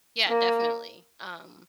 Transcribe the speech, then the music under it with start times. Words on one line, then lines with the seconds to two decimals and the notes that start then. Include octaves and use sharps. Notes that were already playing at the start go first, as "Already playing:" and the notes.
Yeah, definitely. Um,
0.27 A#3